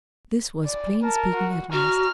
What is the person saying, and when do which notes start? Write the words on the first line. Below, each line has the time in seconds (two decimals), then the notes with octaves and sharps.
This was plain speaking at last.
0.65 D5
1.03 A#4 A5
1.35 F#4
1.73 F#4 A#5 F6